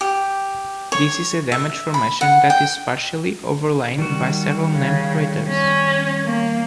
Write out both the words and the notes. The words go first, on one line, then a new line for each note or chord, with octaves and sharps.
This is a damaged formation that is partly overlain by several named craters.
G4
C#5
E5
B5
F#5
G5
D#3 G3 F#4
C#3
C#4
A#3